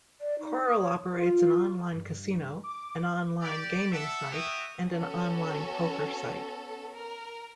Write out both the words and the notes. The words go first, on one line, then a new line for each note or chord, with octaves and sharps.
Coral operates an online casino, an online gaming site, and an online poker site.
D5
D#4
D#6
C#5
F4
G2
D6
G4 D5
A4 E5 F#5
B3 E4 F#4 G4 E5 D#6
B3 C#4 F#4 A4
A#4